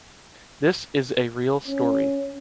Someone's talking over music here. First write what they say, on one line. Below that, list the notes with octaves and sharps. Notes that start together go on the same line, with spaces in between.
This is a real story.
C#4